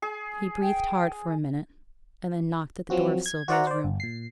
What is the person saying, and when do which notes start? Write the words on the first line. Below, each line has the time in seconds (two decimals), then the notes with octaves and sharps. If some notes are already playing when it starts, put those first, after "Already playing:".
He breathed hard for a minute, and then knocked at the door of Sylvia's room.
0.02 G#4
0.62 G5
2.90 F3 F#3 C4 F#4
3.26 G#6
3.48 F#4 C5 D5 E5 F#5 A#5
3.67 C5 D5
3.84 G1
4.00 A#2 C7